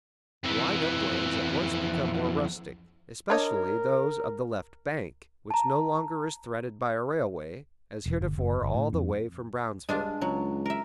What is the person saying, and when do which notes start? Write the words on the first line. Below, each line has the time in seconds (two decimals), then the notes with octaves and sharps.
The wide uplands at once become more rustic, especially those of the left bank, which no longer is threaded by a railway, as heretofore all the way from Brownsville.
0.44 F2 E3
3.30 D4 A#4 C#5 D#5
5.50 A5 A#5
8.06 E1
8.21 G1
8.38 F#1
8.62 G1
8.75 A2
8.93 F2
9.89 G2 G#3 D4 F4
10.21 C#2 F#3
10.65 A#4 E5